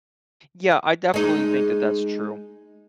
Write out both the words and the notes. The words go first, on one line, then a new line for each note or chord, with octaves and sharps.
Yeah, I definitely think that that's true.
G#3 D#4